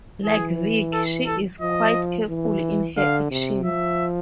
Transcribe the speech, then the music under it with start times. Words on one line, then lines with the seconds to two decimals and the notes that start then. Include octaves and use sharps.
Like Vic, she is quite careful in her actions.
0.24 E3 G#4
0.93 A4
1.27 A4
1.61 F3 D#5
2.29 E3
2.97 D3 F5
3.31 C3
3.65 F3 E5